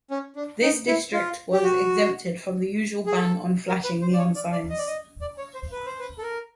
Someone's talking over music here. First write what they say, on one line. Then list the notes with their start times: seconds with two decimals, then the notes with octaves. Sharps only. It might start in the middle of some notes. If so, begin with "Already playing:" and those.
This district was exempted from the usual ban on flashing neon signs.
0.11 C#4
0.36 D4
0.61 D#4
0.87 E4
1.13 F4
1.53 G4
1.63 F#4
3.06 G#4
3.16 A4
3.67 A#4
3.84 B4
4.01 C5
4.13 D5
4.18 C#5
4.35 D5
4.52 D5
4.70 D#5
4.78 D5
4.87 D#5
5.21 D5
5.38 C#5
5.54 C5
5.72 B4
5.86 C5
5.99 B4
6.18 A4
6.23 A#4